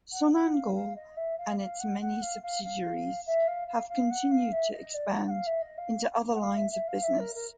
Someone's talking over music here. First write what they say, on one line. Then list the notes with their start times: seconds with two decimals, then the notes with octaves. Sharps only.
Sonangol and its many subsidiaries have continued to expand into other lines of business.
0.12 F#5
0.33 F#5
0.53 F5
0.74 F5
0.96 D#5
1.16 E5
1.38 F5
1.59 F5
1.79 F#5
2.01 F#5
2.22 F5
2.42 F5
2.64 F5
3.26 E5
3.47 F5
3.68 F5
3.89 F5
4.10 F#5
4.31 F5
4.52 E5
4.72 D#5
4.94 D5
5.14 F#5
5.26 F#5
5.30 F5
5.46 E5
5.61 D#5
5.78 F5
6.34 F#5
6.40 F5
6.56 E5
6.71 E5
6.87 F5
7.03 E5
7.19 A#4
7.35 A#4